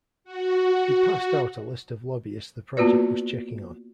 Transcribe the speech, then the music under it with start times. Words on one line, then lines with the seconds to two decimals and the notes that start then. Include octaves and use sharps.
He passed out a list of lobbyists the project was checking on.
0.24 F#4
2.77 A#3 B3 F4 F#4 B4 D5